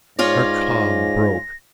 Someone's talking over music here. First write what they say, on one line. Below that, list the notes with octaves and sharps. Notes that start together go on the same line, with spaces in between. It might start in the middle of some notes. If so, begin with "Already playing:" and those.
Her calm broke.
G#2 C#4 F4 D5 A#6